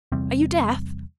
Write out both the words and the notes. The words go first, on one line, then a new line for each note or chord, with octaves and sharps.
"Are you deaf?"
E2 C3 G3 C4